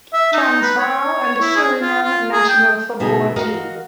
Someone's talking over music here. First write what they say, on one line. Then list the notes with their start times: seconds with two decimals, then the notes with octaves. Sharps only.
Transvaal and the Suriname national football team.
0.13 E5
0.33 D#4
0.62 B4
0.78 C#5
1.41 E4
1.56 G#4
1.81 F4
2.03 F4
2.32 G#4
2.48 G5
2.99 D2 B2 D3 D#4 G#4
3.36 F#4 A#4 D#5 F5